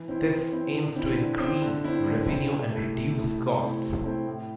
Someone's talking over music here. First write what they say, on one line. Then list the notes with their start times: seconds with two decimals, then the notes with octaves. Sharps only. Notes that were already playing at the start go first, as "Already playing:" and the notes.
This aims to increase revenue and reduce costs.
Already playing: E3
0.08 C4 E4
0.30 E3
0.52 C4 E4
0.74 D3
0.96 C4 E4
1.18 D3
1.40 C4 E4
1.62 D3
1.84 C4 E4
2.06 D3
2.29 C4 E4
2.50 C3
2.72 A3 E4
2.94 C3
3.16 A3 E4
3.38 C3
3.61 A3 C4 E4
3.82 C3
4.04 A3 C4 E4
4.27 A2